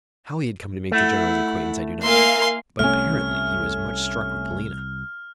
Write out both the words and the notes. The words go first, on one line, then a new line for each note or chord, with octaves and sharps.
How he had come to make the General's acquaintance I do not know, but, apparently, he was much struck with Polina.
A3 E4 F#5
A#3 E5 F5 G#5 C6
C2 C3 A3 C#4 F6